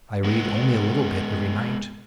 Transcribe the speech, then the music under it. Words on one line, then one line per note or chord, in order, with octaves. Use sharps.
I read only a little bit every night.
G#3 B3